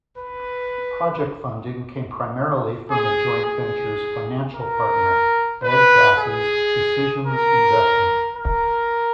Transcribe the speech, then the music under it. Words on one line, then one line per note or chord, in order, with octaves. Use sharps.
Project funding came primarily from the joint venture's financial partner, Ed Bass's Decisions Investment.
B4
G#4
G#4
A#4
B4
G#4
A#4
A#4